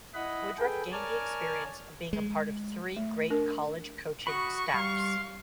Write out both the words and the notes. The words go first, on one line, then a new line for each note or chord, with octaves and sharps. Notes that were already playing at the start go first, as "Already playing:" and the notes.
Woodruff gained the experience of being a part of three great college coaching staffs.
E4 D#5 F#5 B5
G#4 A4 B4 G5
A#4 C#5 D5 G#5 A5 F6
G#3
A3
D4 A#4
F#4 B5 C#6 D#6
G3 F5